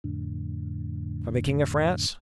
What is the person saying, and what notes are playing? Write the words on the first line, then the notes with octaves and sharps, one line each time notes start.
"From the king of France?"
F2 A2 D3